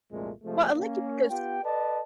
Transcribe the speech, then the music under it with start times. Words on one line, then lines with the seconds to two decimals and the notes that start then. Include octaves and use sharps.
Well, I like it because,
0.11 C2 F2 A#2 G#3 A3
0.43 C3 F3 G#3 A3
0.75 A#3 C#4
1.29 B3 F4 G4 G5
1.63 A4 B4 D5 D#5 A5